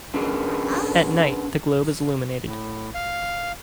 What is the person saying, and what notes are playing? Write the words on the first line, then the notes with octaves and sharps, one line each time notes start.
At night, the globe is illuminated.
B3 C#4 D4 G#4 A#4
A2
F5